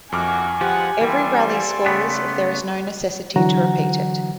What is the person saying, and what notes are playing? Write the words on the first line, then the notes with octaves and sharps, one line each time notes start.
Every rally scores if there is no necessity to repeat it.
F2 A#3 E4 F#4 G#5 D6 F6
F3 G#3 B3 G4 F#5
E3 G3 A4 D5 C6
C#3 A3 B3 B5 D6
D3 E3 F#3 F#4 F#5 A#5